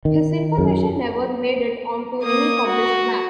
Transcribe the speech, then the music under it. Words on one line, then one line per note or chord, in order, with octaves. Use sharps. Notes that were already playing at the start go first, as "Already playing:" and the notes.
His information never made it onto any published map.
D#3
F#2
A#3 D#6
F#4